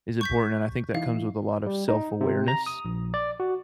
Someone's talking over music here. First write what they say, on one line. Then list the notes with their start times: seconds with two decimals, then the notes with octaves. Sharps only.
is important, and I think that comes with a lot of self-awareness
0.21 C#6 G6 B6
0.95 E3 D#4 E4 F5
1.66 G3
1.88 D#4
2.21 C3
2.48 A#5
2.66 D#6
2.85 A#1
3.14 D5
3.40 F#4